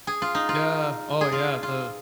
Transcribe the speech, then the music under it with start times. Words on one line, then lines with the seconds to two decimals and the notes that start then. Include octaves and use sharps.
Yeah. Oh, yeah. The
0.07 G#4
0.22 F4
0.35 D#4
0.49 F4
1.21 G#4
1.32 F4
1.63 F4